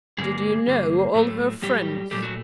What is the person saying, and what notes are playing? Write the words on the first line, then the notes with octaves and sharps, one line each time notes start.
"Did you know all her friends?"
G2 D3 G3 G#3 A#3 G#4
G2 D3 G3 A#3
A2 F#3 A3
A2 F#3 G3 A3 G4
A#2 F#3 G3 A3 G4
F#3 F#4